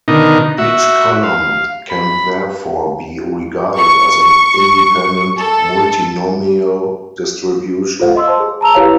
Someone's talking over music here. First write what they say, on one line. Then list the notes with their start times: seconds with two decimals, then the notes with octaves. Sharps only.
Each column can therefore be regarded as an independent multinomial distribution.
0.08 B2 D3 D#3 D#4 A#4
0.58 F#4 E5
1.23 F5
1.90 B5
3.76 C#6
5.38 A4
8.00 F4 A4 C5 F5 F#5
8.16 D#5 C6 E6
8.27 C5 A5
8.40 G#4
8.61 A5 A#5 E6 F7
8.74 E4 G4 B4 C#5 F5